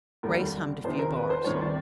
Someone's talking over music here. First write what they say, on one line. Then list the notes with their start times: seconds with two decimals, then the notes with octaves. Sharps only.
Grace hummed a few bars.
0.23 F1 D#2 D3 G3 A#4
0.84 E2 C3 D#3 C5
0.99 A#4
1.15 B4
1.30 C5
1.44 D2 C3 D#3 G3 C#5
1.61 D5